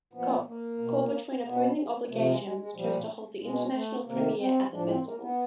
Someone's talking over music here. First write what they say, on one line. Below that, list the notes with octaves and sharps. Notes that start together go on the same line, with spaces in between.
Cox, caught between opposing obligations, chose to hold the international premiere at the festival.
A#2 F3 B3
A#3
B2
B2 B3
C3 F3 A3
G#3
G#3
G#3
A#2 F3 G3
B2 G#3
A3
C3 D#3 A#3
C4
A2 F3 D4
C4
A#3
B3